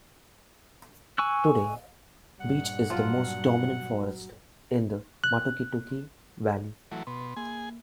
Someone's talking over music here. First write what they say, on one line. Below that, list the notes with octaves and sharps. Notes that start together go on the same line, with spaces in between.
Today, beech is the dominant forest in the Matukituki Valley.
G#5 C#6 E6 F#6
G2 A#2 F#5
F3 F#3 F4
F#6
E3 F#3 A3
B2 C6
A#3 G#4 G#5